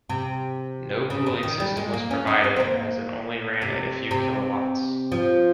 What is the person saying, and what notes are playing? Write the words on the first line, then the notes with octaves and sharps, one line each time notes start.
No cooling system was provided as it only ran at a few kilowatts.
C3
C#3
C#3
D#3
G3
G#3
A#3
C#4
D#4
C4
C4
A#3
C3
C3
F3